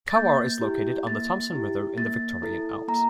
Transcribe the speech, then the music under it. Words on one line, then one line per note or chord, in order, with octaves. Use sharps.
Cowwarr is located on the Thomson River in the Victorian Alps.
A6
A#3 G6
E4 G4
A#3 A6
E4 G4
A#3 A6
E4 A4
A#3 A#5